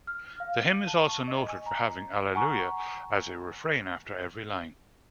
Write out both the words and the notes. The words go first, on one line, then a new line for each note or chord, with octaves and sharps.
The hymn is also noted for having Alleluia as a refrain after every line.
F6
F5
D#7
A5
C#6
D#5
G#5
A#5
F#5 G#5 A#5 C#6